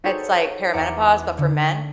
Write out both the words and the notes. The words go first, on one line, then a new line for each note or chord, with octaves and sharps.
it's like perimenopause, but for men.
D#4 F#4 G#4 A4 C5 C#5
E2 E5 F#5 A#5 D6 D7
D3